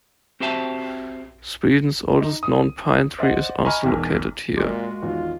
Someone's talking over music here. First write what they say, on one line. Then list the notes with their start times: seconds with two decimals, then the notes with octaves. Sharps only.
Sweden's oldest known pine tree is also located here.
0.40 C4 F#4 G4 C5 E5 A5
2.21 D#4
2.43 D#6
3.19 C5 D5 D#5 F#5
3.65 D#5 G#5 A#5 B5 C#6 F6
3.84 E1 B1 E2
4.57 A#2 G#3 F#4 F5 C6 D6
5.03 E2 D#3 F4